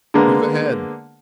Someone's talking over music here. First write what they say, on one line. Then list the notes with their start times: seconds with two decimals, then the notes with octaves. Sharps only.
"Heave ahead."
0.14 D3 G#3 A#3 B3